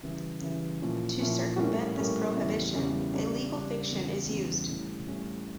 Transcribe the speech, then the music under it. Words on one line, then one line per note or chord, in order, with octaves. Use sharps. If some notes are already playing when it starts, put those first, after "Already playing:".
To circumvent this prohibition, a legal fiction is used.
C#3 E3 G3
C#3 E3 G3
A#2 F3 C#4 E4
A#2 F3 C#4 E4
A2 G3 A#3 C#4
A2 G3 A#3 C#4
E2 C#3 G3 C#4 E4
E2 C#3 G3 C#4 E4
C#3 G3 D4
C#3 G3 D4
E2 C#3 G3 C#4
E2 C#3 G3 C#4
A2 G3 C#4 E4
A2 G3 C#4 E4